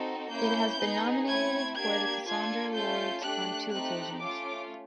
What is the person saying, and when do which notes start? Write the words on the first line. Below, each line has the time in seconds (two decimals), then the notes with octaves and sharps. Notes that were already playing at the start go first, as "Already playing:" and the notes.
It has been nominated for the Casandra awards on two occasions.
Already playing: C4 D#4 F#4 A4
0.31 A#3 C#4 E4 G6
0.79 B3 D#4 G#4
1.28 A3 C4 E4 G#6
1.77 A#3 D4 G4 G#6
2.25 D4 F4 A4 G#6
2.74 A3 C#4 F4 A4 G6
3.22 A3 D4 G4 F#6
3.71 A3 C4 D#4 G4 F#6
4.19 A3 C#4 F4 D6